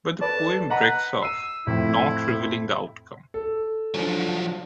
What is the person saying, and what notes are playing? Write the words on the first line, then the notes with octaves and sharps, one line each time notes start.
But the poem breaks off, not revealing the outcome.
A4 B4 D5 A5
B4 D#5 F#5 A#5
E6 C7 D#7
F2 A2 E4
A4
F3 F#3 D4